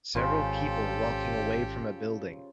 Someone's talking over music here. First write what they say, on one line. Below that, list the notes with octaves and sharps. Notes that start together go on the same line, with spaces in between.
Several people walking away from a building.
G#1 C#3 F4 G4 A4 C5